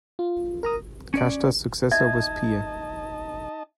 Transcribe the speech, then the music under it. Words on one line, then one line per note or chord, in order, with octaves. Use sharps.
Kashta's successor was Piye.
F4
A#4 A#5 D#6
C#4 D5
D#4 D#5 E5 A5 G#6